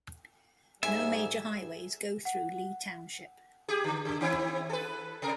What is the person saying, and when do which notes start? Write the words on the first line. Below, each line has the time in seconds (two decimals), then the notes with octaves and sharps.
No major highways go through Lee Township.
0.83 G#2 G3 A4 E5 G#5
2.25 F#5
3.68 G4 G#4
3.84 D3
4.05 C#3
4.21 D#3 C4 E4
4.69 A4 B4
5.22 C3 A#4